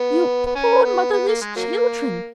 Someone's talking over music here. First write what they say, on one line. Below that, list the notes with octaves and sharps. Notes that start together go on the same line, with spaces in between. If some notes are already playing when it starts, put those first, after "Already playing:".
'You poor motherless children!
Already playing: B3
B3
C#4
B3
B3
A#3
G#3
F#3 A#3